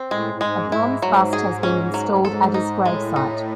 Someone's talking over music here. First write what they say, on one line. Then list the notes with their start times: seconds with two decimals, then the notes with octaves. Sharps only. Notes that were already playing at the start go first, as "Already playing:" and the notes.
A bronze bust has been installed at his grave site.
Already playing: C4
0.11 A2 G#3
0.34 A2
0.41 G#2 G#3
0.63 F#2
0.72 G#2 E4
1.02 G#2 F#3
1.33 G#4
1.63 C#4
1.94 F#3
2.16 F#2
2.24 G#2 A4
2.54 D#4
2.86 A2 G#3
3.16 D#4